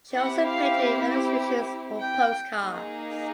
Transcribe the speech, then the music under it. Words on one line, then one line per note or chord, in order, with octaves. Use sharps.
She also painted illustrations for postcards.
C4 E4 G4 F#5
F5
G5
A#3 D#4 G#4